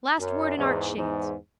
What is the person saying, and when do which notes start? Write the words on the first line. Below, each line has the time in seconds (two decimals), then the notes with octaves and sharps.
Last word in art shades.
0.20 F#2
0.57 E2 G#2
0.95 E2 G#2